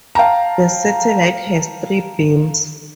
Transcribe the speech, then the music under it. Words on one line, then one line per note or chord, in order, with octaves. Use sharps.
The satellite has three beams.
F5 G5 A5 A#5